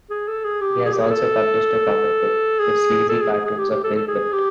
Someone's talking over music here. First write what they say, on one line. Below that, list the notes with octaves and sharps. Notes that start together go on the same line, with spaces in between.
He has also published a comic book, "The Sleazy Cartoons of Bill Plympton".
G#4
A4
G#4
G4
G#4
G4
G#4
A4
G#4
A4
G#4
G#4
G#4
G4
G4
A4
A4
G#4
G4